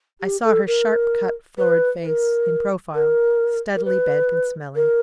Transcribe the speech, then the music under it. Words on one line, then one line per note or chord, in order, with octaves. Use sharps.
I saw her sharp-cut, florid face in profile, steadily bent and smelling.
G4
A4
A#4
B4
B4
A#4
A#4
A#4
B4
A#4